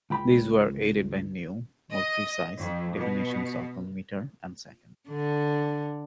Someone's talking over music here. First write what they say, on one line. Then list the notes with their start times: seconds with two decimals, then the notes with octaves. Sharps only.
These were aided by new, more precise, definitions of the metre and second.
0.10 C#2 G5 B5
1.93 D#5
2.58 F2
2.97 B2
5.09 D3